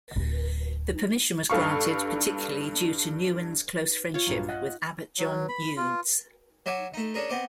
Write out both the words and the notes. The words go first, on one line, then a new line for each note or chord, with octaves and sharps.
The permission was granted particularly due to Nouwen's close friendship with Abbot John Eudes.
D1 G1
G2 A4 F5 C#6
F4 C#5
A#1 G2 F#3
D#5 F#5 F#6
F#3
B5
F4
F#3 C#5 E5 G#5 D6
A3 D#4
C#4 D4 G#4 A#4
B3 C4 D#5 D6